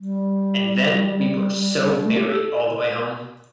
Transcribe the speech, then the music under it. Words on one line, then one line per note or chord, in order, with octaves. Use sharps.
And then we were so merry all the way home!
G3
A3
G4
A4